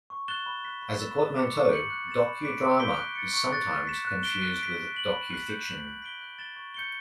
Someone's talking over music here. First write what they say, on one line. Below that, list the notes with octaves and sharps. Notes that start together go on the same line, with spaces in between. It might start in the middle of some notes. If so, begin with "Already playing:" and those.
As a portmanteau, "docudrama" is sometimes confused with docufiction.
C#6
F#6 A6 E7 G7
B5
F#6 B6
B5
E6 A6 E7
B5
D6 F#6 C#7
C#6
G6 C#7 F#7
F#6
A6 E7
B5
D6 F#6 B6 D7
C#6
G6 B6 D7 G7
F#6
A6 C#7
C#6
F#6 A6
F#6
B6 E7
F#6
B6 D7 G7
F#6
B6 D7
F#6
B6 F#7
B5
F#6 B6
G6
B6 F#7
F#6
B6 D7 G7
F#6
A6 E7 G7
C#6
G6 C#7 G7